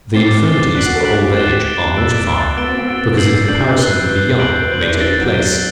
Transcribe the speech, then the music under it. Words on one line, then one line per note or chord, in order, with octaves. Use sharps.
The infirmities of old age are mortifying; because a comparison with the young may take place.
C4 D6 A6 C7 G7
D6 A6 C7 G7
D4 F#6 B6 D7 F#7
F#4
A4
F#4 F#6 B6 D7 F#7
G4 A6 E7 G7
A6 E7 G7
E6 A6 D7
E6 A6 D7
B3 E6 A6 D7 G7
C4
B3
E6 A6 D7 G7
G6 C7 F#7
D4 G6 C7 F#7
B4 F#6 C7 G7
F#6 C7 G7
G6 D7 F#7
B4
C5 G6 D7 F#7
D5
E4
D4 A6 D7 G7
D4
F#3
A6 D7 G7